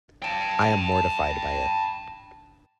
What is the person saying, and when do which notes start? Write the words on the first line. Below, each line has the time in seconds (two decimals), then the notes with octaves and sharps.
I am mortified by it.
0.23 G5 A5